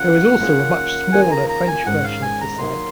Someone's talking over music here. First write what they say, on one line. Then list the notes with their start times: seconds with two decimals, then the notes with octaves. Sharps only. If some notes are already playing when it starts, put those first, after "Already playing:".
There is also a much smaller French version of the site.
Already playing: D#3 C#4 F4 F#5
0.40 D#3 A#3 C#4 F4 G#4
1.13 D#3 A#3 C#4 F4 G#4 G#5
1.31 A#5
1.49 A#5
1.68 G#5
1.86 G#2 D#3 G#3 C#4 F#5
2.04 F5
2.22 G#5
2.41 A#5
2.59 F#3 A#3 D#4 C6